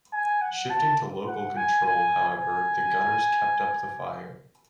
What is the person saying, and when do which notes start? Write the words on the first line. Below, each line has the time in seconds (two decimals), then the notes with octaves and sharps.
Shifting to local control, however, the gunners kept up the fire.
0.13 G#5
0.41 F#5
0.70 A5
1.28 F#5
1.57 G#5
1.86 G#5
2.28 G#5